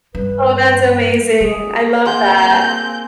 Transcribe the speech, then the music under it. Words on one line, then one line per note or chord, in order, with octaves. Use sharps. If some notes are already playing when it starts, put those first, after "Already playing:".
Oh, that's amazing, I love that.
G2 B4
G#3 G#4
A#3 C4 G#4 E5 F#5 C6 G6